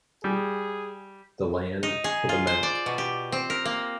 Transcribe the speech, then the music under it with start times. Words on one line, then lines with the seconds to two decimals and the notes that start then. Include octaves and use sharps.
The land for the Mt.
0.24 G3 G#4
1.83 D#4
2.04 G#4
2.29 F4
2.47 C5
2.63 D5
2.86 B2
2.98 G4
3.32 C4
3.50 A#4
3.65 A#3